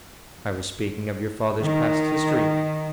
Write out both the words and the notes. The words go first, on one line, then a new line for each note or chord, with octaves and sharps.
I was speaking of your father's past history.
D#3